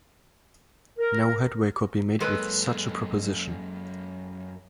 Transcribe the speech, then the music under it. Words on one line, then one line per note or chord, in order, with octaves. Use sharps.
No headway could be made with such a proposition.
A#4
F#2 G#3 A#3 A4 B4